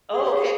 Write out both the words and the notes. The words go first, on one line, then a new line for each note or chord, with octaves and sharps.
Oh, okay.
G#4
G4
G#4